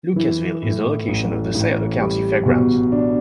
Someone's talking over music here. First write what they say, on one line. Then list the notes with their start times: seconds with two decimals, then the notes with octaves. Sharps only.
Lucasville is the location of the Scioto County Fairgrounds.
0.16 E3
0.62 A2
1.08 A1
1.55 A1
1.99 G3
2.46 B2
2.92 D4